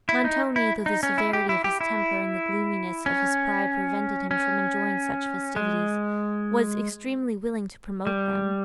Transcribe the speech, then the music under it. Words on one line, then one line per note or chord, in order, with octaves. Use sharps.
Montoni, though the severity of his temper and the gloominess of his pride prevented him from enjoying such festivities, was extremely willing to promote them.
E4
D#4
E4
D#4
C#4
E4
G4
E4
G4
E4
C#4
C#4
G#3
G3